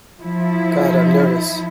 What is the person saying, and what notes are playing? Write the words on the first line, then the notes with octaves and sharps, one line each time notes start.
God, I'm nervous!
F3 E4